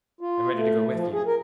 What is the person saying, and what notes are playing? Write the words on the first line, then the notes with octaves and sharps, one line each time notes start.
"I'm ready to go with you."
F4
A3
F3
G#4
A#4